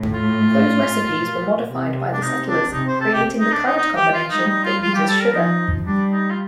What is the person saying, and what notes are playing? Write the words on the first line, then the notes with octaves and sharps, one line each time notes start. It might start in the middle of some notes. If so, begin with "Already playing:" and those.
Those recipes were modified by the settlers, creating the current combination that uses sugar.
Already playing: A2
F4
A#2
C3
D4
C3 D#4
D4
C3 D#4
C5
A4
G4
D#4
D4
D#4
D#4
G4
F4
G3 D#4
D#4
F4
G3 F4
G4
A4
A#4
F3 D#4
G3 D4
D#4
F4